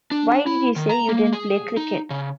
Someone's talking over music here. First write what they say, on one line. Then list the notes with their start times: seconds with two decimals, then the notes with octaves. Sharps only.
Why did you say you didn't play cricket?
0.11 D4
0.47 E4
0.76 D#3
0.89 A#5
1.09 A#3
1.33 G#4
1.77 D#4
2.10 C#3